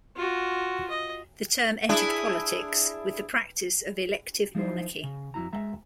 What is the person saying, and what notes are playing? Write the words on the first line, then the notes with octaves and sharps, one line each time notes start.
The term entered politics with the practice of elective monarchy.
F4 F#4
D#5
D4 E4 G#4
F3 D#4 E4 C5
C#3
F2 C#3 E4 F#4 A#5
G#3 E5 A#5